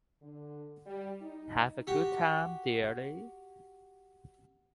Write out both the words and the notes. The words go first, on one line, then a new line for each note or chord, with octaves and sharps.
Have a good time, dearies!
D3
G3
D#4
F#4 G4